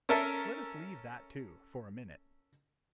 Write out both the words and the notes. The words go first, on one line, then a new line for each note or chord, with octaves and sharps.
Let us leave that, too, for a minute.
C#4 A4 A#4 E5 A5